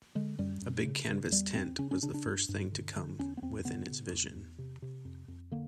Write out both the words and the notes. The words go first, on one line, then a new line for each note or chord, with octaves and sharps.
A big canvas tent was the first thing to come within his vision.
D3 G#3
F#2 G3
F#2
C#3
C#3
E2 G3
E2 C4
C#3 C#4
C#4
C#3 D4
D4
G2
G2
D3
D3
E2 C#4
B3
E2 C4
C#3 B3
C#3
E2
E2
C3
C3
F2
F2
D3 A#3